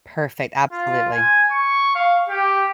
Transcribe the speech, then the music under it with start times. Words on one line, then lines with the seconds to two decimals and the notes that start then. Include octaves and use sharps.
Perfect, absolutely.
0.72 F4
1.12 G#5
1.51 C#6
1.95 F5
2.29 G4